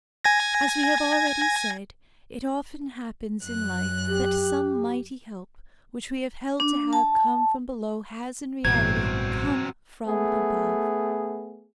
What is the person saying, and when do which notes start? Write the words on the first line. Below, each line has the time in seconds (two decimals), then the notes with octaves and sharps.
As we have already said, it often happens in life that some mighty help which we have held to have come from below has, in reality, come from above.
0.24 G#5 G#6 A#6
3.44 F#2 F#6
4.08 G4
6.60 D4
6.93 A5
8.65 A1 G2 B2 E3 F#3 C4 G#6
10.04 A3 B3 G#4